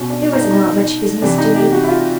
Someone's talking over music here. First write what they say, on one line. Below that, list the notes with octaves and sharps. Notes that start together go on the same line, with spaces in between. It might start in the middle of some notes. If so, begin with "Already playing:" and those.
There was not much business doing.
Already playing: B2 C#4
D4
D#4
D4
D#4
C3 E3 D4
D#4
G4
F#4
E4
F4